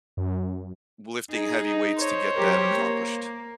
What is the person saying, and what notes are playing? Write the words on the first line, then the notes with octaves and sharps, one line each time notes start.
lifting heavy weights to get that accomplished.
F#2
D#4 G#4
C5 C#5
F#3 G4 A#4
A#3